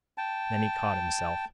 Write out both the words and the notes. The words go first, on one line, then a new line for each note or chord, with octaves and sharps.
Then he caught himself.
G5 A5